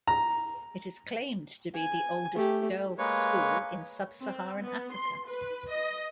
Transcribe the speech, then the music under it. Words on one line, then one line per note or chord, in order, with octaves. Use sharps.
It is claimed to be the oldest girls school in Sub-Saharan Africa.
A#5
G#5
A3 G4
G#3 A#3 B4 C#5
C4
B3
C6
B4
D#5